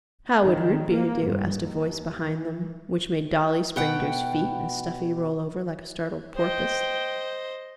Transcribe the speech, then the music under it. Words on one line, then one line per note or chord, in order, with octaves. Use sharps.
'How would root-beer do?' asked a voice behind them, which made Dolly spring to his feet and Stuffy roll over like a startled porpoise.
D#3
A#3
G2
D#2
E3
B2 F#5 G5
C5 D#5 G5